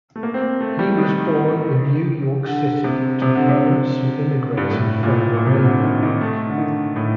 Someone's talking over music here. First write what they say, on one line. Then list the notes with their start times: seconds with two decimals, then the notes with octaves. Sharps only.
He was born in New York City to parents who immigrated from Romania.
0.16 A3
0.23 A#3
0.34 C4
0.41 A#3
0.61 A3
0.79 G3
0.97 D#3
2.47 D3
2.84 C3
3.22 C3
3.35 D3
3.49 C3
4.57 G2
4.71 A2
5.03 A#2
5.09 A2
5.37 A#2
5.47 C3
5.64 D3
5.83 D#3
6.03 D#3
6.21 A3
6.49 D3
6.58 D#3
6.96 A2